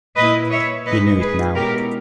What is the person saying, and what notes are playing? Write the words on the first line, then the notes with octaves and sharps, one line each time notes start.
He knew it now.
A#2 A#3 E4 B4 D#5
C#5 E5
A#2 G#3 D#4 B4 D#5
G#4 B4
B2 G#3 C#4 E4 G4 A#4